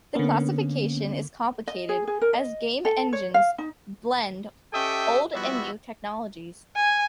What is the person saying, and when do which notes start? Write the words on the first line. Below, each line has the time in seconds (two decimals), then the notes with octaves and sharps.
The classification is complicated as game engines blend old and new technologies.
0.15 D3 A#3 B3 C#4
1.67 D#5
1.89 G#4
2.07 G#4
2.21 A#4
2.33 D#5
2.85 A4
3.13 C#5
3.34 F5
3.58 D#4
4.74 C#4 G4 A4 D#5 E5 G5
5.34 F3 G3 B3 E4 F#4 E5
6.76 G#5